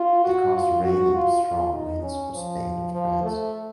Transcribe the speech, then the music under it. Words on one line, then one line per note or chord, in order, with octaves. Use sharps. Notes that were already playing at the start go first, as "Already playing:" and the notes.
It caused rain and strong winds for Spain and France.
Already playing: F4
F#4
F4
F#4
F4
F4
D#4
C#4
F3
F3
A3